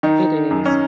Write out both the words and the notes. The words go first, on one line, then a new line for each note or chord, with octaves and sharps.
It is.
D#3 D#4
F#2
C#4